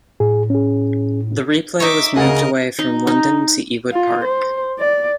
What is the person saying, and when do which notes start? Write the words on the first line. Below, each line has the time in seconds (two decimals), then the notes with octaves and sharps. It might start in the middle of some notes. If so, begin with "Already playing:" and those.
The replay was moved away from London to Ewood Park.
0.20 A2 G#4
0.50 C#4 G#4
1.80 D#4 C#5 E5 D6
2.16 D2 C#3 G#4 A#4 D#5 F#5
2.79 D#4
3.07 D#4
3.92 F4
4.25 C5
4.79 D5